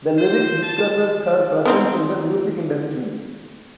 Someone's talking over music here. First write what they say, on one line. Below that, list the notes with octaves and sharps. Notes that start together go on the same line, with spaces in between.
The lyrics discusses her presence in the music industry.
C5
A5
B3 C4 D#4